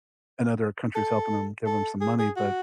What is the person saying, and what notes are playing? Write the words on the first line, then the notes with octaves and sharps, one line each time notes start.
and other countries helping 'em give 'em some money, but
A4
A4
G#4
G#4
F#4